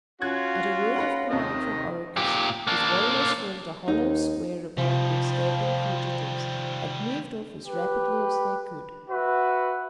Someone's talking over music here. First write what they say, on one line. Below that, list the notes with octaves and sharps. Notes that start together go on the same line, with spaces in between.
At a word of command from Oracus his warriors formed a hollow square about the escaping fugitives, and moved off as rapidly as they could.
C#4 F4 F#4 F#6 G#6
F#5 B5 A#6
D#2 C3 D#3 C4 D#5
A#2 G4
A#3 D4
D#2 D#4
C3 D#3 F3 G3
G4 B4
F#4 B4 E5